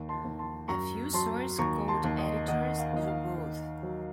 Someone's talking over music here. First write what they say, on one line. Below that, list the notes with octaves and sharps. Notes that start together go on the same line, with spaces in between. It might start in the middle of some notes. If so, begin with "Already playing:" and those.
A few source code editors do both.
Already playing: D#2
A5 C6
D#2
A5 C6
F#2 A#5 C#6
F#3 A5 C6
D#2 A#5 C#6
A5 C6
D#2
D#5
D#3 D#5 F#5
F5
D#2 D#5
F5
D#3
F#3